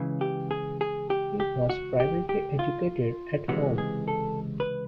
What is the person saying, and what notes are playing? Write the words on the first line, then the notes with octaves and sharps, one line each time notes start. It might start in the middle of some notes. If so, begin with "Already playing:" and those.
He was privately educated at home.
Already playing: C#2 C#3 E3
G4
G#4
G#4
G4
G4
F#4
G4
G4
F4
C#2 C3 E3 G#3 F#4
G#4
A4
B4